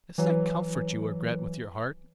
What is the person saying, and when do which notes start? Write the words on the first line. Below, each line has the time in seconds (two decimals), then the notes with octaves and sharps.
It's not comfort you regret, with your heart!
0.18 E3 F#3